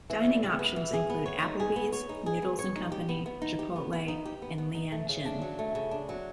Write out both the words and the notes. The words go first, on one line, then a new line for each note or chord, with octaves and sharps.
Dining options include Applebee's, Noodles and Company, Chipotle, and Leeann Chin.
E3
G3
C#3
B3
E3
G#4
B3
C#5
D#4
G#4
B3
C#5
D#4
G#4
B3
C#5
D#4
G4
B3
B3
D#4
G4
B3
B3
D#4
G4
B3
B3
D#4
A3
C#3
D4
F#3
A3
C#3
D4
F#3